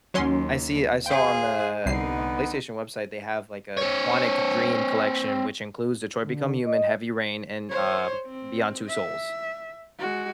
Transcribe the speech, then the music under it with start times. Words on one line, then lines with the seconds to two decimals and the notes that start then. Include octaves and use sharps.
I see I saw on the on the PlayStation website, they have, like, a Quantic Dream collection, which includes Detroit: Become Human, Heavy Rain and, uh, Beyond: Two Souls.
0.14 D#2 F#3 C#4 C6
1.06 G#4 C5 F5 G5
1.86 C2 D3 B3 D#4 C7
3.77 C4 C#5
6.25 D3
6.64 D#5
7.70 C5 C#5
8.27 C4
8.88 E5
9.99 G#3 F#4